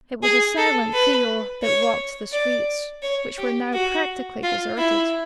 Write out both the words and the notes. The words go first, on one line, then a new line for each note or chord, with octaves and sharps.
It was a silent trio that walked the streets, which were now practically deserted.
G#4
A4
B4
C#5
D5
C#5
G4
F#4
F4
E4